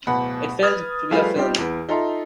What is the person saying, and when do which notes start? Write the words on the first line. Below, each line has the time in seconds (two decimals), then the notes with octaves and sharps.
It failed to be a film.
0.07 D1 B2 B3 F#5 B5
0.62 B4 D#6 F6 G#6 A6
1.11 F3 G3 A3 G#4 B4 F5
1.36 G3 C4 D#4 F4 G4
1.58 E2 B3
1.89 D#4 F4 A4 E5 A#5 C6